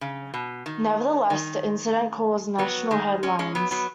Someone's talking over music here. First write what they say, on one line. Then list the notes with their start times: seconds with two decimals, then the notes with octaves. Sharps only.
Nevertheless, the incident caused national headlines.
0.01 C#3
0.34 B2
0.66 D#3
1.30 D#3
2.58 F#3 B3
2.91 D#3 G#3
3.23 G#3 C#4
3.39 G#3 C#4
3.55 F#3 B3
3.71 F#3 B3